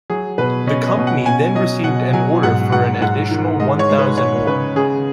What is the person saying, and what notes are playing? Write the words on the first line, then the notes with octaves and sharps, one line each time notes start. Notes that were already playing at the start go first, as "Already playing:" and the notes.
The company then received an order for an additional one thousand more.
F#3 G#4
B2 B4
C#4 D#5
D#5
B2
F#5
C#4 G#5
F#3 D#5
B2 F#5
F#3 G#5
G#2 F#5
G#2 F#5
G#2 F#5
D#3
G#3 D#5
C#5
G#3
B4
G#3 C#5
C#3 B4
C#3 G#4